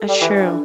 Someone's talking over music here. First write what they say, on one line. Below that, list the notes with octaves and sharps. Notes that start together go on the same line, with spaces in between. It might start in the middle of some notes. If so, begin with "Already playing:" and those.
That's true.
Already playing: A4
G3
E3
D4